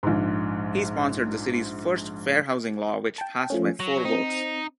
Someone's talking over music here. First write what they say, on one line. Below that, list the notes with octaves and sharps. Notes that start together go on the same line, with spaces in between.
He sponsored the city's first fair housing law, which passed by four votes.
A#1 G#2
G5 A5
F3 A3 C#4
F#3 A#6
C4 D#4